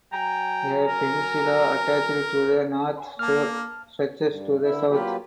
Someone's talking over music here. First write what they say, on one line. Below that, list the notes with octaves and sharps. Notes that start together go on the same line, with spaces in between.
A peninsula attached to the north shore stretches to the south.
F#3 G5 G#5 A#5
A#4
A#3 A5 F6
G2
D3 E4 E5
F#3 A#3 F4 G4 B4